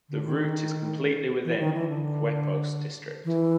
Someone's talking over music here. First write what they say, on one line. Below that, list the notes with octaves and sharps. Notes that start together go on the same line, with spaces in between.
The route is completely within Quepos district.
D3
D#3
E3
D#3
E3
D3
E3